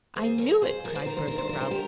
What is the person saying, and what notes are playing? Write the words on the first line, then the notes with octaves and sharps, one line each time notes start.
"I knew it!" cried Bertha, proudly.
D#2 G#4 C5
F3 A#4 C#5
F2 G#4 C5
F3 A#4
C5
D#3 A#4
C5
G2 A#4
C5
F3 A#4
C5
G4 A#4